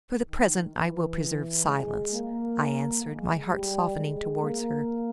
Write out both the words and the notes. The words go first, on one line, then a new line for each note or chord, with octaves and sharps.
"For the present I will preserve silence," I answered, my heart softening towards her.
D#3
E3
E3
G#3
A#3
G#3
G3
G#3
A#3